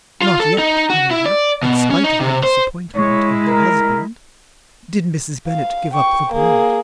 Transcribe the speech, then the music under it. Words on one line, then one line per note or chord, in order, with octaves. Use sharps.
Not yet, however, in spite of her disappointment in her husband, did Mrs. Bennet give up the point.
F4
A4
D#4
F#4
E4
D5
B2
C#4
D#4
C3
C5
G#3 E4 C#5
A#4
F5
G5 C#6
A#3 G#4